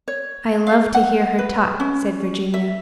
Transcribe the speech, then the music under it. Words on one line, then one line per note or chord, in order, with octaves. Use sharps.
"I love to hear her talk," said Virginia.
C#5
F5
F#5
B4
C#4
E5